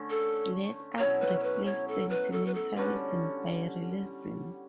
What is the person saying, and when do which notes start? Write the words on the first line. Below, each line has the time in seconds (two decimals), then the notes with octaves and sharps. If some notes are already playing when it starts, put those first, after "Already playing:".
Let us replace sentimentalism by realism.
Already playing: D3 A3 C#4
0.10 A4
0.99 B2 F#3 C#4 E4 C#5
1.20 B4
1.39 C#5
1.43 B4
1.65 C#5
1.88 A4
2.10 B4
2.32 A4
2.46 B4
2.54 A4
2.77 D3 G3 C#4 F#4 B4